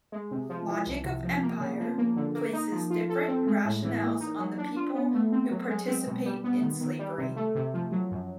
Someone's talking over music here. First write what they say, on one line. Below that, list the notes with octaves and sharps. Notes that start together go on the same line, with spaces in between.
"Logic of Empire" places different rationales on the people who participate in slavery.
G#3
C3
F3
E3
C2
C3
F3
A#3
C#3
F3
A#3
D3
A#3
D#4
F3
F4
A4
C4
G#3
A2
E3
A#3
D#4
F#3
D4
F4
B3
A3
C4
F#3
G#3
C4
B2
G3
B3
D#3
D#3
G3
C3
A3
C3
F3
F#3
F#2